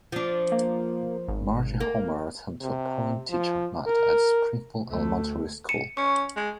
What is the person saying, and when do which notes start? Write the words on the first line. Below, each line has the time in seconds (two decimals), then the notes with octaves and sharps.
Marge and Homer attend a parent-teacher night at Springfield Elementary School.
0.12 F3 D4
0.52 A#3
1.28 G#1
1.80 A#3
2.62 C3
3.30 F3
3.87 A#4
4.87 D2 A3
5.69 C#7 D#7 E7
5.97 C#4 C#6
6.36 G#3